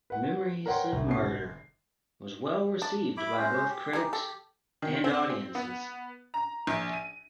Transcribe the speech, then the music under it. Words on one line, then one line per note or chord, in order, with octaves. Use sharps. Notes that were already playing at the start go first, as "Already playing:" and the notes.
"Memories of Murder" was well received by both critics and audiences.
B4 F#5
A#4 B4 C#5 F#5 G5 C6
C2
B2 C#4 C7
G1
D4
E4 B5 D6
G#3 C#4 C5
G4
G3 G#3 D#4
A4
D#3
C4
C4
B3
A#5
A#1
D#7